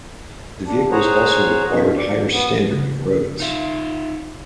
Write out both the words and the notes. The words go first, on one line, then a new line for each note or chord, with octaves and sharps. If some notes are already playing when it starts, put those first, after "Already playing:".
The vehicles also required higher standard of roads.
E2 D4
G#4 C5 C#5 F#5 A#5
E2 G2 B2
D5
B3
C#3
D#4 F4 E5